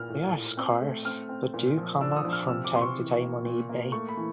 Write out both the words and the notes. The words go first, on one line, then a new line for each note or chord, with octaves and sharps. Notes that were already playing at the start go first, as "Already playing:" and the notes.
They are scarce but do come up from time to time on Ebay.
Already playing: A#2 F6
A2
A2
C4
A3
C4 F6
C4
A#2
F3
D4 E6
E6
D#6
F3 E6
F6
C3 E6
D6
C3 C6
C#6
E3
A#3
A#2
A#3
A3 C#6
B5
E3